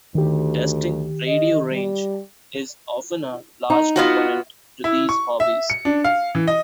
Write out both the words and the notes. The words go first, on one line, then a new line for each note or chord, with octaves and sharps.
Testing radio range is often a large component to these hobbies.
D2 D#3 G4
D#5
G3
D#4
B3 F4 F#4
E4
C#6
E5
C#7
D4
F5
E3
D#5